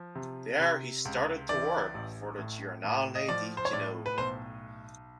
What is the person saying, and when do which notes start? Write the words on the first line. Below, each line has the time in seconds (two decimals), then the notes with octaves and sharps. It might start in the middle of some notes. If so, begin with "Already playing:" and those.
There he started to work for the "Giornale di Genova".
Already playing: F3
0.15 C3
0.60 C3
1.05 C#2
1.49 E3 D5
1.94 A1
2.39 A2
2.84 A2
3.15 D#5
3.29 F3 D5
3.57 C5
3.65 C#5
3.73 A2 D5
4.06 B4
4.17 B1 C5